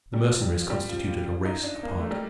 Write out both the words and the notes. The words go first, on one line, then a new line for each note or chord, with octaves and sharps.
The Mercenaries constituted a race apart.
G3
F3
G3
F3
G3
F3
F3
F3
D#4
D4
A#3
A3
G3